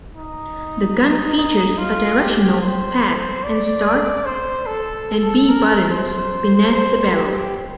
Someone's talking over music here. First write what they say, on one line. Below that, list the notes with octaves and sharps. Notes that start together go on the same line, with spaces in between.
The gun features a directional pad and Start and B buttons beneath the barrel.
D#4
D#4
F4
G4
C5
D5
C5
A4
A#4
C5
C5
G4